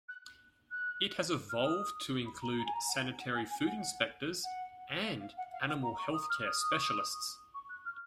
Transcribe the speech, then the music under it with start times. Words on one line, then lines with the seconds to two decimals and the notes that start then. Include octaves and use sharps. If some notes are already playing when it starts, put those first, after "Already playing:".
It has evolved to include sanitary food inspectors and animal healthcare specialists.
0.08 F#6
0.71 F#6
1.49 F6
1.63 D#6
2.25 B5
2.41 A#5
2.57 A#5
2.65 G#5
2.73 A#5
2.88 F#5
3.03 F5
3.19 F#5
3.34 G#5
3.50 G#5
3.66 F#5
4.43 F#5
5.06 F5
5.20 F5
5.37 F#5
5.52 F5
5.68 F#5
5.82 A#5
5.98 C#6
6.13 D#6
6.29 F6
6.45 D#6
6.60 D#6
6.72 C#6
6.82 D#6
7.54 C#6
7.69 F#6
7.85 F6